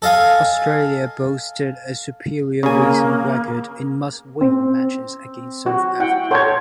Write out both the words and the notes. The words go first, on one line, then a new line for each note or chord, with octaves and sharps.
Australia boasted a superior recent record in must-win matches against South Africa.
A4 D#5 F5 G#5
C#3 A#3 G#5
C4
F#4
E4 F#5 G5
A4 C#5 F#5 C6 G6 G#6